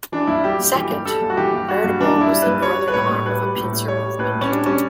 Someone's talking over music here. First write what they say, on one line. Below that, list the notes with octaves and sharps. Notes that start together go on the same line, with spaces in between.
Second, "Veritable" was the northern arm of a pincer movement.
E3 D4
G2 E4
G3 G4
G2
E3 G4
G2
G3 A4
G2
F#4
E3 G4
G2
G3 F#4
G2
E3 D4
G2 E4
G3
G2 B4
G3 C#5
G3
B4
A2 C#5
A2
G3 B4
G3
A2
A2
G3 C#5
G3
A2 B4
A2
C#4
G3 D4
G3 C#4